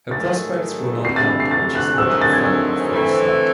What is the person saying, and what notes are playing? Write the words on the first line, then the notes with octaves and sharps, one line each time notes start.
Her prospects were not helped when she slipped and fell before the start.
G#2 D#3 F#3 A3 A6
C3 E3 A3 C7
A6
C7
A6
F#6
G#2 D#3 F#3 A3 C4 E6
F#6
A6
G#6
E6
E3 A3 C4